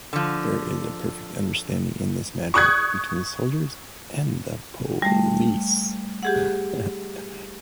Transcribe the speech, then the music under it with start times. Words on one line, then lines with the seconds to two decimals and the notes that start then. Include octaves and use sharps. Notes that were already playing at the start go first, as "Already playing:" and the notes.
There is a perfect understanding in this matter between soldiers and the police.
0.13 D3 F3
2.54 C#6 D#6 F#6 G#6
5.02 G3 A3
6.23 G4 G#4 F#5